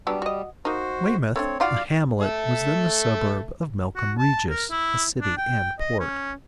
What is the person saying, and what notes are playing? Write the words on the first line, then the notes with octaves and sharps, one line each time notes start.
Weymouth, a hamlet, was then the suburb of Melcombe Regis, a city and port.
F#3 G3 B3 D4
F#4 D#5
A#3 D#4 F#4 C5
A3 B3 C4 D4 C#5
D#4 F4 F#4 D5 F5
A3 A4 E5
F#4
A5
A#4
E4
D4
G5
D#5
C#4